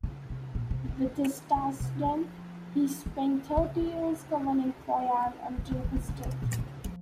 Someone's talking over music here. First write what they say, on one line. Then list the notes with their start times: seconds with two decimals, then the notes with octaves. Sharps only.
With his task done, he spent thirty years governing Poyang until his death.
0.03 C#3
0.30 C3
0.55 A#2
0.70 C3
0.88 C#3
1.05 D#3
1.56 C#3
1.80 C3
2.05 F3
3.06 D#3
3.57 C#3
3.81 C#3
5.58 C#3
5.72 C#3
5.84 D#3
5.96 C#3
6.09 C#3
6.26 C3
6.42 A#2
6.59 C#3
6.85 F3